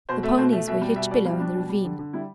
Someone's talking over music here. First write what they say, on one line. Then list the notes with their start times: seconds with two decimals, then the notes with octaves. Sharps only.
The ponies were hitched below in the ravine.
0.09 B2 C5
0.23 A3 E5
0.38 B2 C5
0.52 A3 E5
0.67 B2 E5
0.81 G3
0.96 B2 E5
1.11 B2 D5
1.25 G3 E4
1.40 G3 D4
1.55 B2
1.69 G3
1.85 D3
1.99 D3
2.13 G3 E4